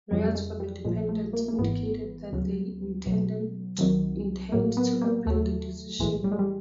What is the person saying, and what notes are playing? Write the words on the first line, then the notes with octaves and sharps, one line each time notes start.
Lawyers for the defendants indicated that they intended to appeal the decision.
F2 C#3 F3 G3
G3
G#3
G3
A#1 A#2 F3 G#3
A3
A#3
A#3
G#1 G#2 E3 B3
D2 C#3 F#3
B1 B2 F#3
C2 C3 D#3 F#3
A#1 A2 F#3 A#3
B3
A#3
D#2 C#3 F#3 A3
B1 A2 E3 G#3
G3
G#3
G3